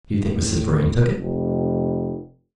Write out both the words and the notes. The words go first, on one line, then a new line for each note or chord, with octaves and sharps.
"Do you think Mrs. Vrain took it?"
A2
F1